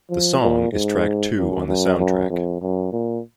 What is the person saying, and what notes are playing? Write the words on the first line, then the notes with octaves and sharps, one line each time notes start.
The song is track two on the soundtrack.
F3
A#2
G#2
F#2
F#2
F#2
F2
F#2
A#2